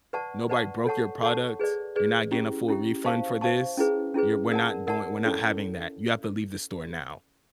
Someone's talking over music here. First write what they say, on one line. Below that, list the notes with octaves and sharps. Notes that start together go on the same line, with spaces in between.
Nobody broke your product. You're not getting a full refund for this. You're we're not doing we're not having that, you have to leave the store now."
B4 D5 F#5 A5 C#6
B4 D5 F#5 A5 C#6
A4 C#5 F#5 A5 C#6
A4 C#5 F#5 A5 C#6
G#4 B4 D5
G#4 B4 D5
C#4 E4 G4
C#4 E4 G4
C5 F5 A5 C#6
C5 F5 A5 C#6
C#4 E4 G#4 B4
C#4 E4 G#4 B4
A#4 D5 F#5 A5
A#4 D5 F#5 A5
C#4 E4 A4 C#5